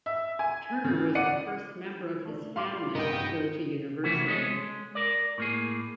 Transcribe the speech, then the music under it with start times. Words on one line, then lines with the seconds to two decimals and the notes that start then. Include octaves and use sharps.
Turner was the first member of his family to go to university.
0.06 E5
0.39 G#5
0.84 C#3
1.15 D5 F#5 C#7 D#7
2.25 A3 D4
2.56 F5 C6 D6
2.95 B1 G2 B3 A#4 D#5 G5
4.03 C3 E3 A3 E4 F#4
4.27 G#3 C#4 A4 D#5
4.50 G#3
4.95 A#4 D5
5.38 A2 A#3 G#4